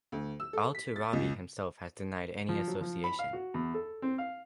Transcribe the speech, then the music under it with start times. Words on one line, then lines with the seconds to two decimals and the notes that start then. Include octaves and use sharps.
Al-Turabi himself has denied any association.
0.12 D2
0.40 E6
0.53 A4
0.75 B6
0.96 A6
1.13 C#2
2.49 F3
2.67 F#3
2.81 F3
3.04 B5
3.19 F5
3.33 F#4
3.54 E2
3.74 A4
4.02 C4
4.18 F5